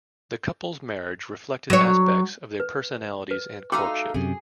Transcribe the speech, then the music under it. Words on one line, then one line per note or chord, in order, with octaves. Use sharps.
The couple's marriage reflected aspects of their personalities and courtship.
F#3 C#5
B4
B4
A3 D#4 F#4 F5 G5 D6
F#2 C3 G#4